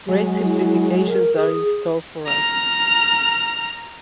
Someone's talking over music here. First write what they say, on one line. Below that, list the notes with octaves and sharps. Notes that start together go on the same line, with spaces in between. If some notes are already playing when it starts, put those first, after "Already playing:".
Great simplifications are in store for us.
F#3 G#3
E4
A#4
G#4
A#5 F6